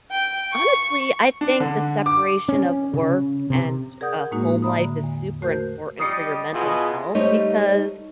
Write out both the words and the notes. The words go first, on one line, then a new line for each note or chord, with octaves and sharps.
Honestly, I think the separation of work and a home life is super important for your mental health because
G5
C#6
D4
D3
D6
C#4
C#3
C3
G#4 A#4 D5 F#5 D#6 G6
A2 G#3 A#3 D#4 F#4
D5 E5 A#5 B5 D#6
D3
E2
A3 F#4 A#4 C5 G6
G3 G4 D#5 D#6 C7 C#7
B2 E4 F4 G#4 D#5 G#5
G3 A3 D#4 C5 C#5